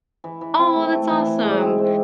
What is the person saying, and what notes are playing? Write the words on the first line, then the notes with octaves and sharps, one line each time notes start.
oh, that's awesome!
E3
E3
C4
A3
A3
E3
E3
G#2
C4
C4